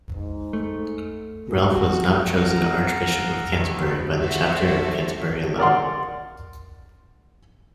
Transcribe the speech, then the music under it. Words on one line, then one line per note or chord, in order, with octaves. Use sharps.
Ralph was not chosen archbishop of Canterbury by the chapter of Canterbury alone.
G#2
A3
F#4
F5 F#5 A#5 E6
E2 D#3 E3 E5
F#4 A4 C5 D5 E5
A#4 D5 F#5 C6